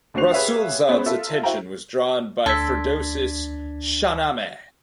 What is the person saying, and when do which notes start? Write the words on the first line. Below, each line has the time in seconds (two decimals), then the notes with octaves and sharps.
Rasulzades attention was drawn by Firdousis "Shahnameh".
0.14 D2 D4 F#4 C5 C7 F7
0.33 G4 G#4 B4 C#5 E5 F5
0.89 B3 C#4 G#4 C5 B5
1.06 F4 A4 A#4 E5
1.43 E4 F#4 C5 F5 G5 A#5
2.46 D2 D4 A4 C6 E6 G#6 B6